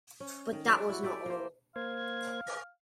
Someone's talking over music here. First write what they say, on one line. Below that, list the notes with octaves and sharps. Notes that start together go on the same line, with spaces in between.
But that was not all.
C#4
D#3
F#3 D5 E5
E4 F#4
A3 G4 D5 E5
A#3 C5
A#3 C5 F5 G#6